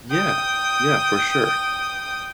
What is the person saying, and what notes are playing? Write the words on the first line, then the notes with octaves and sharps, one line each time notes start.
Yeah. Yeah, for sure.
G5 D#6